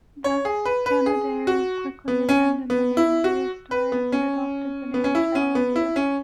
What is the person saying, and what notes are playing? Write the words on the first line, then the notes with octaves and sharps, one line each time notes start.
Thus, Canadair quickly abandoned the name "LearStar" and adopted the name "Challenger".
C#5
G#4
B4
B4
G#4
F#4
B3
C#4
B3
E4
F#4
B4
B3
C#4
B3
C#4
E4
C#4
B3
E4
C#4